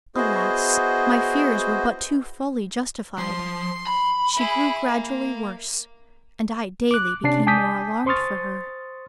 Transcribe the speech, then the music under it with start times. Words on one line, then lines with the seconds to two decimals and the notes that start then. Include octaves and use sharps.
Alas! my fears were but too fully justified; she grew gradually worse--and I daily became more alarmed for her.
0.16 B3 E4 F#4 G#4 C5 D#5
3.18 F3 C6
3.87 B5
4.37 E4 G#4
4.88 A#3
6.91 D6 F#6
7.23 C3 C#4 D4 D5 C7
7.47 G#5 A5 D6 D#6 G6 B6
8.06 C5 C6 C#6 D#6 F6 A6